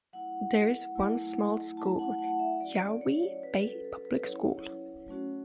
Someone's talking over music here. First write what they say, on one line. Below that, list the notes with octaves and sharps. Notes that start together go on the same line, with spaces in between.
There is one small school, Yowie Bay Public School.
F#3 A3 E4 F#5
F#3 A3 E4
F#3 A3 E4 A5
F#5
F#5
E5
F#3 C#4 F#4 D5
D5
C#5
C#5
F#3 C#4 F#4 B4
A4
A4
B4
F#3 C#4 E4 C#5
F#3 A3 C#4 F#4